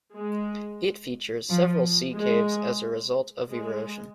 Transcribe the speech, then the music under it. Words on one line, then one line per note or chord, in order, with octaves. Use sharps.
It features several sea caves as a result of erosion.
G#3
F3
G#3
G#3